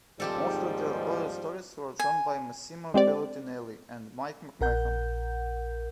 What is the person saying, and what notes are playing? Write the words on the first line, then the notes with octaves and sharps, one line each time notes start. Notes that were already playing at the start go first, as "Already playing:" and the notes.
Most of the early stories were drawn by Massimo Belardinelli and Mike McMahon.
D#2 G#2 F3 G3 C4 G4 A4
G#5
G#3 C4 G4 D5
A#1 A#4 F#5 G6